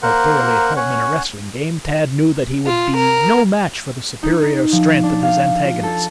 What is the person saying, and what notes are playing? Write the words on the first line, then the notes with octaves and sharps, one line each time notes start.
Though thoroughly at home in a wrestling game, Tad knew that he would be no match for the superior strength of his antagonist.
A#3 A#4 C5 F#5
C#4 C#5 F#5
F4
A#4
D#4
D#4
F3
D4
F5
F4
A4